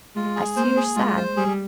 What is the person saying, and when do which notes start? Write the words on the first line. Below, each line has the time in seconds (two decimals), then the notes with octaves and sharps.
I see you're sad....
0.16 G#3 F4
0.36 G#4
0.56 A#3 C5
0.77 G#4
0.96 G#3 F4
1.17 C5
1.37 G3 G#4